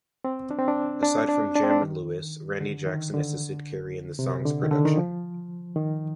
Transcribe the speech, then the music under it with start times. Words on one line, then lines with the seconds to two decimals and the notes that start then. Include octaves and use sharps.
Aside from Jam and Lewis, Randy Jackson assisted Carey in the song's production.
0.25 C4
0.51 D4
0.58 C4
0.68 D4
1.03 D4
1.29 D4
1.56 D4
1.63 C4
1.70 D4
1.82 D#3
2.61 D3
2.87 D#3
3.14 D3
4.19 C3
4.45 D3
4.64 D#3
4.71 D3
4.85 D#3
4.97 F3
5.76 D#3